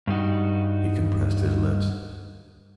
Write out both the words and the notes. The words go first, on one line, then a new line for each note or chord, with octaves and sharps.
He compressed his lips.
G2 G3 D#4 F#4